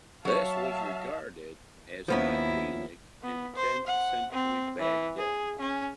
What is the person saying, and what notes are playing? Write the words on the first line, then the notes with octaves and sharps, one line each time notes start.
This was regarded as hygienic in tenth century Baghdad.
F#3 C#5 E5 F5 A5
D#2 F3 B3 C#4 E4
B3
C5
F#5
C4
E3
G#4
C#4